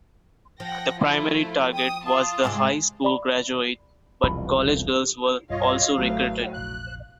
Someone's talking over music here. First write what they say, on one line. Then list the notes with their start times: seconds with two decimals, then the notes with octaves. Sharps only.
The primary target was the high school graduate but college girls were also recruited.
0.60 F3 F#5 G5 A#6
1.00 A3 E4 F4 B5
1.73 G5 D#6
2.06 F4 A5 D#6
2.44 G#2 C3 G#3 G#5
3.05 D5 B5
4.23 E1 C2 F3 B5
5.50 B1 G2 G3 F4 C#5 D#5 F5
5.98 A1 A2 F#3 A3
6.54 F1 A#1 F#6